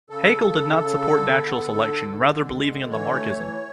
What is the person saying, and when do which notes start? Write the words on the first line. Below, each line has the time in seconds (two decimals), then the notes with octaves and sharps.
Haeckel did not support natural selection, rather believing in Lamarckism.
0.10 C#3 A4
0.33 C#3
0.57 C#3
0.80 C#3
1.03 D3
1.27 B3
1.51 D3
1.74 D3
1.97 D3
2.21 D3
2.44 G#3
2.67 D3
2.91 E3 C#5
3.14 A3
3.38 E3